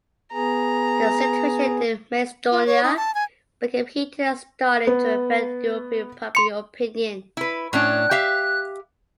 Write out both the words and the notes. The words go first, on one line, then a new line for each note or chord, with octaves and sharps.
The situation in Macedonia became heated and started to affect European public opinion.
B3 G#4 A#5
F4
C#5
D#4
A5
G#5
B3
C6 C#7
E4 B4
A2 C#4 D4 F#6
G4 E5 F5